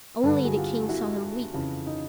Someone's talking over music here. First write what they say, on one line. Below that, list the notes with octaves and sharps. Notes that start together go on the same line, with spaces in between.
Only the King saw him weep.
G2 D3 A4 B4
F#4 G#4
F4 G4
E4 F#4
F2 C#3 E3
D#4